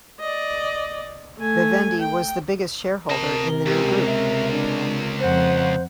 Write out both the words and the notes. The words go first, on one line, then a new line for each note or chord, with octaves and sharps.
Vivendi was the biggest shareholder in the new group.
D5 D#5
A3 G#5
G5
C3 A#4 D#5 A5
C#2 G4
E5
D4
F2 C5 F#5